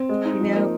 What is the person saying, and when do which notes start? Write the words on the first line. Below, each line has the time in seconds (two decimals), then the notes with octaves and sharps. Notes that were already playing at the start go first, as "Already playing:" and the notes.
You know
Already playing: C4
0.09 G#3
0.24 D#4
0.40 F3
0.56 A#3